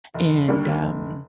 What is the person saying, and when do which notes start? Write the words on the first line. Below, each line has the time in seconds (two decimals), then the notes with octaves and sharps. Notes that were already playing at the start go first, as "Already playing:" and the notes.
and um
0.14 F1
0.48 D#2 D3 G3 A#3
0.82 F1